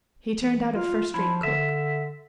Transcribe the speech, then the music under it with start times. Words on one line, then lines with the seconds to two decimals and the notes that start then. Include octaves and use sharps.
He turned out a first-rate cook.
0.39 E3
0.75 F4
1.14 F3 E4
1.43 D3 E5